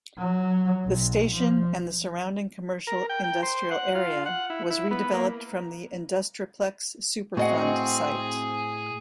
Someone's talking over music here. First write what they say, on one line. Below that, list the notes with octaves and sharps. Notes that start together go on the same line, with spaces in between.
The station and the surrounding commercial-industrial area was redeveloped from the Industri-Plex Superfund site.
F#3
B1
F3
A#4
G5
G5
C5
F#5
F4
F#5
E4
E4
B3
A#3
A2 C4 F#4 G#4 D#5 F#5